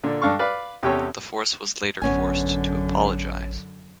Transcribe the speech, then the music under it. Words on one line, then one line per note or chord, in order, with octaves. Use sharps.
The force was later forced to apologise.
A#2 D3
G2 D4 A4 F5 C#6
B4 D5 F5
E2 C3 C#4 G4 A4 C#5
A1 F#2 D3 B3 C#4 G#5